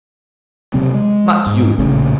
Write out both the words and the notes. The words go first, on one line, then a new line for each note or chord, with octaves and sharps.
Not you!
C3 F#3 C4
G#3
G#2
A#1 A2 C#3